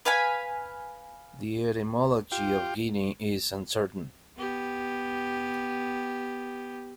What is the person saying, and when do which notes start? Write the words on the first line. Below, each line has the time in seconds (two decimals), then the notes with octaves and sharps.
The etymology of "Guinea" is uncertain.
0.05 B4 F5 G#5 B5
2.32 F4 G4 G5
4.37 B3 G4